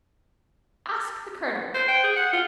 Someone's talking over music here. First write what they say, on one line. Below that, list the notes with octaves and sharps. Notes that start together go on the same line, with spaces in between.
"Ask the Colonel."
C5
G5
G#4
F#5
F4